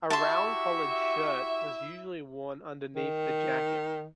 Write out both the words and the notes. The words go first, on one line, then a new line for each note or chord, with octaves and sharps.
A round-collared shirt was usually worn underneath the jacket.
E4 F#4 G4 E5 A5 C6 C#6
D#3